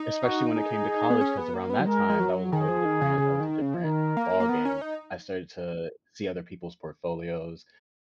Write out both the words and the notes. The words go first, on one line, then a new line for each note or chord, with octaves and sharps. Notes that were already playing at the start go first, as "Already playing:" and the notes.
Especially when it came to college, 'cause around that time, that was a whole different that was a different ballgame. I started to see other people's portfolios,
Already playing: D#4
F#4
G#4
B3
C#4
B3
A#3
B3
F#3
G#3 A#4
G#3
F#3
D#3 G#4
F3
D#3
C#3
C#3
D#3
C#3
F3
D#3 A#4
A#3
A#3
B3
C#4
D#4